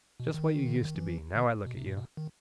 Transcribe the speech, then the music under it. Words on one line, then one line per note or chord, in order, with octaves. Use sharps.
Just what you used to be, now I look at you!
B2
D#3
C#3
D3
D#3
E3
D3
B2
C3
A#2
B2
D#3